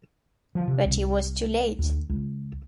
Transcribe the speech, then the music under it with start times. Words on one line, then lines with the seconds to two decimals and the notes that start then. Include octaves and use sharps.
But he was too late.
0.55 F3
0.67 C3
0.85 C2
1.79 D2
2.09 C#2